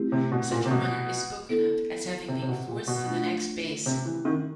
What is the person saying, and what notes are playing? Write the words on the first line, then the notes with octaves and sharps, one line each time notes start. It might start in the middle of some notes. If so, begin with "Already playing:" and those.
Such a runner is spoken of as having been forced to the next base.
Already playing: A3 C4 E4 G4
C3
B2
A#2
C3
B2
B3 E4 A4
C3
C3
B2
A#2
B2
A3 D4 F4
C3
E3
D#3